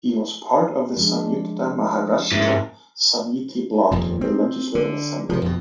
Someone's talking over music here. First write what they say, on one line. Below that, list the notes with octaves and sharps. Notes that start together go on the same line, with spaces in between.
He was part of the Samyukta Maharashtra Samiti bloc in the Legislative Assembly.
F3 G#3 D4
G#2 A#3 C#4 E4
D#1 F2 A#2
C4
D3
C3 F3
F2 B2